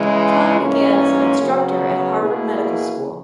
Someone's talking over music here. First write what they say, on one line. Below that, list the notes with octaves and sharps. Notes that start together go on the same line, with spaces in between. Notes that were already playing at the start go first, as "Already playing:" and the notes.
Kahn began as an instructor at Harvard Medical School.
Already playing: C#3 E3 G#3
G#2 E3 A#3 C#4
C#3 F#3 B3
B2 A#3 E4 G#4